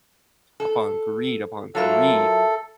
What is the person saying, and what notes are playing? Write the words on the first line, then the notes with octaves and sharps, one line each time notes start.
upon greed, upon greed,
A4
F#3 F4 A4 A#4 E5 A5